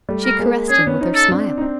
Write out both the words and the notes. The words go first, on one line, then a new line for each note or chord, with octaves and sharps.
She caressed him with her smile.
G3 A3
A#4
G#3 A#3
C#4 G#4
D4
B3 C#4
C#4 D#4
A4
C4 D4
D#4
C4 D4